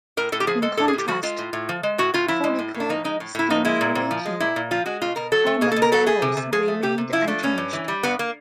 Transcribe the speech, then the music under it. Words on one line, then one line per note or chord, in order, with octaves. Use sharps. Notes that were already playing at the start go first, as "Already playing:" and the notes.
In contrast, follicle-stimulating hormone levels remained unchanged.
A2 A#4
A2 A4
G4
F3 G#4
G#3 A4
A2 A4
G#4
A2 G4
F3 F#4
G#3 F4
A2
A2
F3
G#3
A2 F#4
A2 F4
F3 E4
G#3
A2
A2
D4
F3 D#4
G#3 D#4
A2
A2 E4
F3 D#4
G#3 E4
A#2
A#2
F3
G#3
A#2 E4
A#2
F3 F4
G#3 F#4
B2 F4
B2 A#4
F#3 A4
A3
B2 G#4
A4
B2
A#4
F#3 A4
A3 G#4
C3
C3
F3 G#4
A3
C3 G4
C3
F3 E4
A3 D4
G2 C#4
G2
E3
G3
G2 B3
A#3